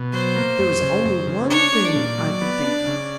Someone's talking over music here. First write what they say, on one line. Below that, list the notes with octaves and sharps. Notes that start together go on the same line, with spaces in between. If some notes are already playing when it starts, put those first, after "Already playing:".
There was only one thing I could think of.
Already playing: B2
F#3 C5
A#3
F#2
C#3
F#2
C#3
D4 C#5
D4
D5
A#2
F#3
B3
D4
C#3